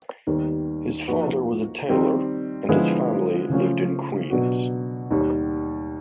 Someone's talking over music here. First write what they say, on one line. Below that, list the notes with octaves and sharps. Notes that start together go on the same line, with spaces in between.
His father was a tailor and his family lived in Queens.
D#2 D#3 G3 B3
F3 A#3 D#4 F#4 B4
D#3 G3 C4 D#4
D3 F3 G#3 B3 E4
C#3 F3 A3 C#4 F4
B2 F#3 B3 D4 F#4
D#2 D#3 G3